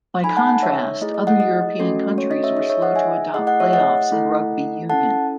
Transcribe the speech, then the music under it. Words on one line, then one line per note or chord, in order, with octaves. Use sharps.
By contrast, other European countries were slow to adopt playoffs in rugby union.
D#4 A4 G#5 B5
F#5 A5
C#5 E5
A3 E4 G#4 D#5
D#5
D#5 F#5
D#5
A3 C#4 F#4 A4
C#5
D#5
C#5 E5
D#4 G#4 D#5
C#5 E5
D#5 F#5
E5 G#5
A3 E4 G#4 D#5 F#5
D#5 F#5
C#5 E5
D#5 F#5
A3 E4 A4
C#4 E4 A4 F#5 A5